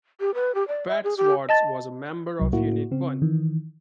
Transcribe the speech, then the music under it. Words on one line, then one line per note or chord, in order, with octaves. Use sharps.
Wadsworth was a member of Unit One.
G4
B4
G4
D5
E5
G#4
G4
D#5 A5 A6
C2 F#3
A2 A#3 E4 F#4
C#3 C4
D#3 E3